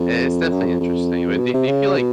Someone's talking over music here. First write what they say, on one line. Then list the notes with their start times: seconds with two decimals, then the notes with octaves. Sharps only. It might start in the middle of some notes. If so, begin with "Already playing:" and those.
i it's definitely interesting, but do do you feel like
Already playing: F2
0.51 F#2
0.66 F2
0.80 F2
1.39 B2
1.53 C3
1.67 C#3
1.97 B2